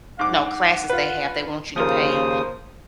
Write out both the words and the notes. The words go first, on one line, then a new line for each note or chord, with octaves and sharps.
no, classes they have, they want you to pay,
G#2 F#5 D6
F4 B4
D#2 C#3 F3 A#3 C5 D#6